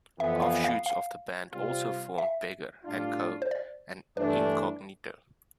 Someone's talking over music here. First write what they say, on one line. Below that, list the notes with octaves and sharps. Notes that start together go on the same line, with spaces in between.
Offshoots of the band also formed Beggar and Co and Incognito.
F2 E3 B3 E5
F5
F5
F5
C3 G3 C4 F4
E5
A2 G3 D4 F4
C5
D5
G2 E3 A3 D4 B4